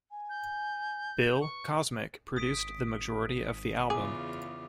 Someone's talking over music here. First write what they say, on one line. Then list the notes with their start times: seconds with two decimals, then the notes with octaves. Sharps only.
Bill Cosmiq produced the majority of the album.
0.10 G#5
0.29 G6
1.41 B4 C#6
2.37 G#1 D#6 B6 D7
3.90 E2 C#3 F4 G#4 D6